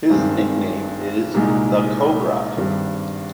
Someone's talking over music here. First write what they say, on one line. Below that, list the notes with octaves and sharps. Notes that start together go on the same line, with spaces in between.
His nickname is The Cobra.
G#1 G2 D#3 G#3 C4
C2 A#2 G#3 D#4
G#1 G2 G3